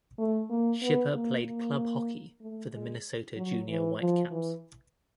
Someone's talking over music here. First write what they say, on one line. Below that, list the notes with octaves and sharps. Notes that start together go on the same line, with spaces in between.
Schipper played club hockey for the Minnesota Junior Whitecaps.
A3
A#3
B3
A#3
A#3
A3
G#3
F#3
E3
F3
E3